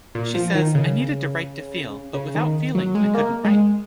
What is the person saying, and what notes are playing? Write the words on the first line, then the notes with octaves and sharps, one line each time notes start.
She says, I needed to write to feel, but without feeling I couldn't write.
A#2
F3
D#3
C#3
C#3
D#3
F#3
G#3
A#3
G#3